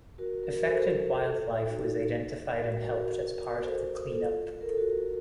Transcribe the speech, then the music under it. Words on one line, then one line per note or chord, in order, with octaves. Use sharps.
Affected wildlife was identified and helped as part of the cleanup.
F#4 A#4
F#4 A#4
A#4
A4 C5
A#4
A4 C5
F4 A4
A4
D#4 F#4
F#4 A#4
A4 C5
F4 A4
A#4
A4
F#4 A#4